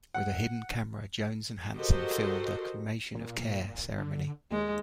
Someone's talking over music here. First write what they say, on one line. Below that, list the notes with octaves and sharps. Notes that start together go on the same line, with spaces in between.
With a hidden camera, Jones and Hanson filmed the "Cremation of Care" ceremony.
F#5
F#4 G4 A4 A#4 C5 D#5
A#2
D3
D#2 G#3